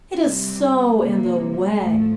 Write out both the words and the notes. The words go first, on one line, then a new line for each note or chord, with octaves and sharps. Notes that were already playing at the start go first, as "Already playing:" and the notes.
It is so in the way!
C3 G3 C4
C3 G3 A#3
A2 F3 A3